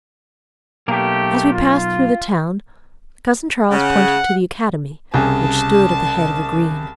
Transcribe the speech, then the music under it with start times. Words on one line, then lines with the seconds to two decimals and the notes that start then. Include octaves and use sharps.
As we passed through the town, Cousin Charles pointed to the Academy, which stood at the head of a green.
0.88 B1 A3 A#3 G4 A#4
1.51 F4
3.70 C#3 F#5
5.14 C2 C#3 G#5 A5